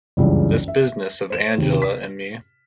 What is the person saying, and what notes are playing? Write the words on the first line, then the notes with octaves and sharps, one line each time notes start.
This business of Angela and me.
F#1 C#2 G2 E3
E5
C5 E7
D#2 C3
B6